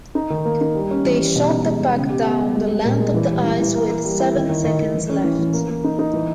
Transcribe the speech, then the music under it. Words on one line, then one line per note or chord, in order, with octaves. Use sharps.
They shot the puck down the length of the ice with seven seconds left.
D#4
D#3
A#3
D#4
G3
C#4
E3
G3
B2
D#4
G#3
B2
C#3
G4
B3
G3
G#3
G#3
A#2
G#3
E3
G3
E3
E3
A#3
E4
G3
E4
D#3
D#3
D#3
D#3
E3
C#4
E3
E3
A#3
A#3
D#4
D#4
E3